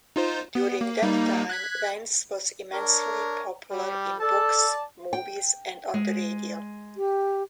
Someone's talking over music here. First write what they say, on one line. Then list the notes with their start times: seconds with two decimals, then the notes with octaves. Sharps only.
During that time, Vance was immensely popular in books, movies, and on the radio.
0.16 D#4 F4 C5
0.55 B3
0.81 A#3
1.02 G3 A#3 D#4
1.50 F#6 G#6 B6
2.73 D4 A#4 C#5
3.70 G3
4.20 A4 D5 A5
5.13 G5
5.94 G#3
6.97 G4